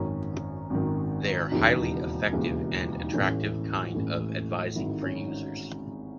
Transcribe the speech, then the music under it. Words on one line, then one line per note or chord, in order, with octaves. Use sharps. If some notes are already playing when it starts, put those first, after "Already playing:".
They’re a highly effective and attractive kind of advertising for users.
Already playing: G#1 F#2 D#3 C#4
G#1 F#2 D#3
E1 D#2 C#3 E3 D#4
E1 D#2 C#3 E3
D#4
A1 A2 E3 C#4
A1 A2 E3
G#1 G#2 D#3 E4
D#4
C#4
D#4